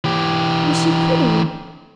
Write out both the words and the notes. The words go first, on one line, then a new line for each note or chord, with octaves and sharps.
"Was she pretty?"
E3 G4